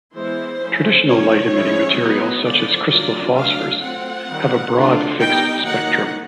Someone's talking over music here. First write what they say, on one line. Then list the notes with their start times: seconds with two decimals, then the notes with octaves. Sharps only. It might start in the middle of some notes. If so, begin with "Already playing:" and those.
Traditional light emitting materials such as crystal phosphors have a broad fixed spectrum.
0.14 E3 G#3 B3 E4 C5
0.61 F3 A3 C#4 E4
1.06 F3 A#3 C#4 C#5
1.51 F3 G#3 C#4 E4
1.98 F#3 B3 D#4
2.43 D3 F3 G#3 B3 D5
2.89 F#3 A#3 D4 F4 D5
3.36 F#3 A3 D4 F5
3.81 A3 C4 F4 F#5
4.28 D#3 G3 C4
4.73 D3 F#3 A3 D4 F4
5.19 G3 B3 D#4 G5
5.65 D#3 F#3 A#3 D#4 F#5